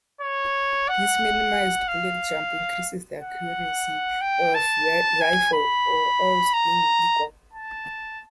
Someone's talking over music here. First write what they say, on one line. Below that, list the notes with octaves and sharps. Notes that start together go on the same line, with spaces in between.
This minimized bullet jump increases the accuracy of the rifle, all else being equal.
C#5
F#5
F5
F#5
G5
A5
G#5
B5
A#5
A5